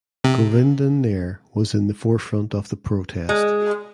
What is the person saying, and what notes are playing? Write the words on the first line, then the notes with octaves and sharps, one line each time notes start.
Govindan Nair was in the forefront of the protest.
C3
G#3